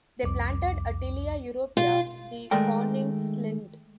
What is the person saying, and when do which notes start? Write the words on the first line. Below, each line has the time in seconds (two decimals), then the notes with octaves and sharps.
They planted a Tilia europea, the "Koningslinde".
0.23 C2 F2 D6
1.77 B2 F4
2.51 D#3 G#3 A3 A#4 D5 G5